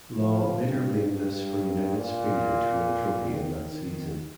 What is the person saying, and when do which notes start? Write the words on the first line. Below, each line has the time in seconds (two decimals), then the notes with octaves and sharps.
Law later blamed this for United's failure to win a trophy in that season.
0.19 F3
0.64 G2
1.07 G2
1.96 A#2
3.29 D#3
3.73 D#3